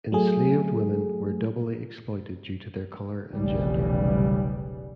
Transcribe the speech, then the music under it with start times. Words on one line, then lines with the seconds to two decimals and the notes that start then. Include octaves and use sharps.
Enslaved women were doubly exploited due to their color and gender.
0.12 F#3 A3 G#4
3.34 F1 B1 C#3 E3 G3